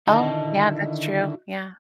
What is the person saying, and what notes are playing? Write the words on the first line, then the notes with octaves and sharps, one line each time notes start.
Oh, yeah, that's true. Yeah.
D3 D#3 E4 F#4 D#5 A5